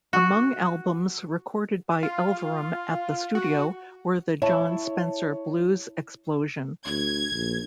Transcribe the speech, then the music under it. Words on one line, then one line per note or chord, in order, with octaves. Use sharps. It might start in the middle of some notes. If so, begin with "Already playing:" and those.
Among albums recorded by Elverum at the studio were the Jon Spencer Blues Explosion.
F#4
F4
F#4
E4 C#5 A5
D2 G#6
A#1